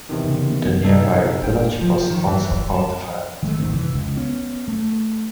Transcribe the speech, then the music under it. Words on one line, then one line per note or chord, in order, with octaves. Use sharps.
The nearby village was also fortified.
E2 C3 D#3
C#3 C#4
A#3 B3 C#4
A#1 C3 D#4 A4
D4 G5
F3
D#3
E3
A5
D#3 G#3 A3
D1 A1 D#3 C4
F1 E3
C#2
B3 C#4
A3